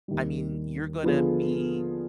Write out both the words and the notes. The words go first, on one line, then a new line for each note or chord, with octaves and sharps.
I mean you're gonna be
D#2 D#3 G3
D3 F3 B3 F4 G#4